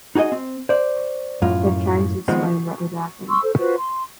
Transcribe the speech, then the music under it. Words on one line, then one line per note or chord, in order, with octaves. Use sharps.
He kept trying to explain what had happened.
D#4 F#4 G#4 C#5 D#5
C4
C5 D5
F#2 A2 F4
D#3 F3 G#3 B3 C4
C6 C#6 E6
A4 C5
F4 F#4 B4 C5
C6